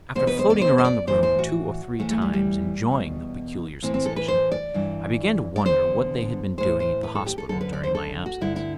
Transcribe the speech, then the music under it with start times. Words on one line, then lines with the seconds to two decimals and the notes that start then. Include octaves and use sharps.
After floating around the room two or three times enjoying the peculiar sensation, I began to wonder what they had been doing at the hospital during my absence.
0.15 E2 B2 C5
0.27 B4
0.39 C5
0.50 D5
0.61 C5
0.78 C5
0.84 D5
1.07 A2 E3 C5
1.23 C5
1.39 F#4
1.99 A2 E3 A3
2.11 A3
2.22 G3
2.33 G3
2.91 E2 B2
3.82 A2 E3 C4
3.94 C4
4.06 A4
4.16 B4
4.28 C5
4.52 D5
4.74 G2 E3
5.56 D5
5.66 E2 D3 C5
6.58 A2 E3 C5
6.80 C5
7.03 B4
7.15 A4
7.26 G4
7.38 A4
7.49 F#2 D3 A4
7.61 B4
7.73 D5
7.84 C5
7.95 A4
8.26 F#4
8.41 G2 D3 E4
8.56 E4